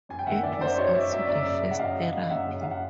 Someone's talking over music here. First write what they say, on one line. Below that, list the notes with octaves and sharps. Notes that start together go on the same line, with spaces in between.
It was also the first Therapy?
F#2 G#5
G5
D#3 E5 F#5
D#3 D5 E5
F#2 C5 D5
F#3 C#5 D#5
F#2 D5 E5
F#2 D5 E5
F#2 D5 E5
C#3
C#3
F#5
F#2 D#5 F5
F#2
F#2
F#2 E5 F#5
C#3
F#2 F5
F#5